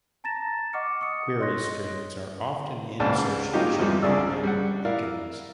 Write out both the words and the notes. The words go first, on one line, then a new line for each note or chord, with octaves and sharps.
Query strings are often used in association with web beacons.
A5 A#5 A6 A#6 E7
D#5 F#5 C#6 D6 F6 C#7
C#6 D#6 C#7
C#5 D#5 C6 F#6 A#6
C#2 G#2 C#3 D5 A5
F#3 A#3 C#4 D#4 F4 G4
E2 C3 F3 G3 G#3
C2 C#3 D4 G#4 D5 E6
G3 F#5
E4 A#4 D5 F5